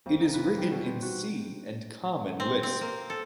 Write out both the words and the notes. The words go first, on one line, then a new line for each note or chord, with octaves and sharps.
It is written in C and Common Lisp.
F2
D#4
B4
G3
B2
C4
F#4
C4
C4
A#3
A4